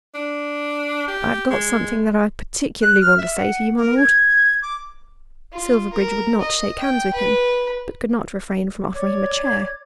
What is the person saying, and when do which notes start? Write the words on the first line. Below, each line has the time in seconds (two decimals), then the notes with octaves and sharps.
"I've got something that I particularly want to say to you, my Lord." Silverbridge would not shake hands with him, but could not refrain from offering him a chair.
0.15 D4
1.08 G4
1.51 G#3
2.82 F#6
3.01 F6
3.18 E5
3.37 F#5
3.77 A#4
3.97 G#6
4.62 D6
5.53 F4
5.93 A#4
6.40 D#5
6.79 G5
7.14 B4
8.95 C#5 D5 D6 G#6